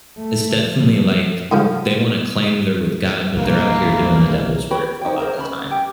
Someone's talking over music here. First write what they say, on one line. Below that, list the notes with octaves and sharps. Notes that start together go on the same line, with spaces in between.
It's definitely, like, they want to claim they're with God, but they're out here doing the devil's work a lot of the time,
A3
F3
G#2 D3 F3
B1 G2 A#3 E4
F#4 C#5 G5 B5
D#4 G5
G#4 A#4 C5
C#4 B5
G4 G5